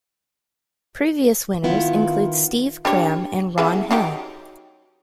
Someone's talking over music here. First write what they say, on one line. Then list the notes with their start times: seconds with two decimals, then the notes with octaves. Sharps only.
Previous winners include Steve Cram and Ron Hill.
1.64 D#3 B3 E4 F4
2.85 D4 G4 C#5
3.58 C#3 E3 B3
3.91 F#3 D#4 G4